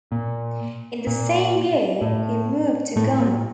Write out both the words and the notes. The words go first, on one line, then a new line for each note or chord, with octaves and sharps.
In the same year, he moved to Gama.
A#2
A#2
A2
A2 A3
A#3